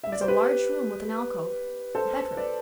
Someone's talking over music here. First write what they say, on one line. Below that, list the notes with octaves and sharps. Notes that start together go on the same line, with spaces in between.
It was a large room with an alcove--a bedroom.
E5
D5
C5
G4 B4
A4 C5
B4 D5